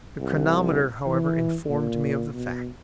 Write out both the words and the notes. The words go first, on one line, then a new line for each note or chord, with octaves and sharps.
The chronometer, however, informed me of the fact.
C2
E3
A#2
B2